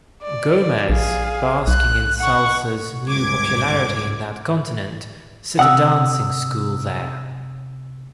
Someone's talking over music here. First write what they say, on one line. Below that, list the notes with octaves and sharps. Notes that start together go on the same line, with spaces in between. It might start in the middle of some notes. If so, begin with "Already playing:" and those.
Gomez, basking in Salsa's new popularity in that continent, set a dancing school there.
D5
A#1 G#4 F5
B1 F#6
F#5 C#6
G1 C#2 G#2 D6 G#6
C3 F#5 D#6 E6